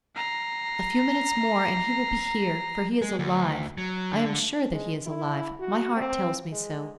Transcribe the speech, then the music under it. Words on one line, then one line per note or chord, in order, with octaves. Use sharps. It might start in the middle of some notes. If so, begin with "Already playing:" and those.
A few minutes more, and he will be here, for he is alive, I am sure that he is alive! my heart tells me so.
A#5 C7
G#3
D2
F#3
D3
G#3
E4
F#4
C4
G#3